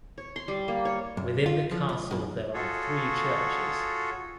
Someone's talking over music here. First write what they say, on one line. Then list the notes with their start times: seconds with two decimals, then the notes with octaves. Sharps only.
Within the castle there are three churches.
0.18 C#5
0.36 C6
0.48 G3
0.68 A#3
0.85 C#5
1.17 F#2
1.46 F4
1.71 F3
1.89 C#2
2.12 F#2
2.54 F4 F#4 G#4 A4 C#5